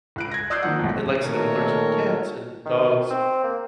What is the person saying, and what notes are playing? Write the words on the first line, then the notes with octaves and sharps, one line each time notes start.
and like I said, I'm allergic to cats and the dogs,
C#2 F#6 D7
G#6 A#6
D5 D#6 E6 F#6 G6 C7
D#3 F3 A#3 F#5
B1 F2
A#2 D#3 A3 A4 A#4 C#5
D#3
C4
A#3